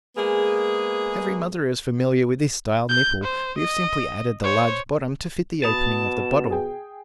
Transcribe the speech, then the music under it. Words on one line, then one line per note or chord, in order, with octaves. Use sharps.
Every mother is familiar with this style nipple; we have simply added the large bottom to fit the opening of the bottle.
G#3 A#3 B3 G#4
G6
C5
D#5
C5 C#5
B2 A5 B5 D#6 F7
G#4 G5